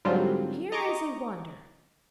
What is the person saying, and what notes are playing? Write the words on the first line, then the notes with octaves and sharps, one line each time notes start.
"Here is a wonder!"
G#2 D3 F#3 G3 C4 F4
D#5 A#5 C#6 D6